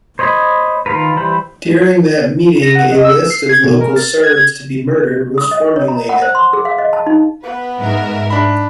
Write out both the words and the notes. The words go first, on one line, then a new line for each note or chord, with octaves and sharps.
During that meeting a list of local Serbs to be murdered was formulated.
C5 C#5 D#5 B5
D#3 F4 A#4 B4
E3 G3 C5 B5
A#6
F#5
D#5
E6
C7
G#6
B2
A#4
A6
G#6
D#6
D#5
C#5
A#5
F#5
C5
C6
G#4
F5
D#5
A5
D#4
B3 B4
G#2 A#4 E5
D4 B5